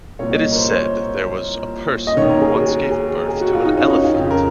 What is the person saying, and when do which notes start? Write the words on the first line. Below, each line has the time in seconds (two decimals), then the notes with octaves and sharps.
It is said there was a person who once gave birth to an elephant.
0.19 C2 A#2 C#5
0.32 D#5
0.51 A#4
0.56 C5
0.69 C#5
2.07 D#5
2.17 D#3 C#5
2.22 D#2
2.29 A#4
2.41 G#4
2.54 F#4
2.67 G#4
2.91 G#4
3.28 G#4
3.41 F#4
3.54 F4
3.65 D#4
3.77 C#4
3.90 D#4
4.03 F4
4.15 F2 C#3
4.30 A#4